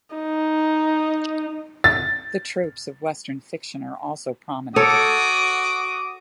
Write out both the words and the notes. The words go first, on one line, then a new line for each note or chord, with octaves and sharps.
The tropes of Western fiction are also prominent.
D#4
A6
F#4 A4 C#5 D6 D#6